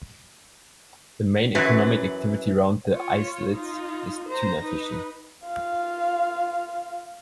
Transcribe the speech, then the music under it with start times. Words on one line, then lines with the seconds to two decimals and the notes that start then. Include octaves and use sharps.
The main economic activity around the islets is tuna fishing.
1.55 F#2 E3 F#3 B4
2.92 F4 C#5
3.51 D#4 F4
4.29 C5 A#5
4.61 D#4 B4
5.45 F4 F5